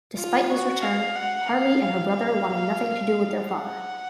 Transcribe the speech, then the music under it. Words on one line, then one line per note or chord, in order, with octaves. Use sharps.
Despite his return, Harley and her brother wanted nothing to do with their father.
F4
F#4
F5
F#5
F5
F5
F5
F#5